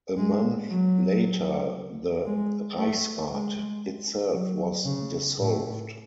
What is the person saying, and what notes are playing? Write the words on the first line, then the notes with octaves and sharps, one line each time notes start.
A month later, the "Reichsrat" itself was dissolved.
G#3
F#3
G#3
A3
G#3
F#3
C#3
A2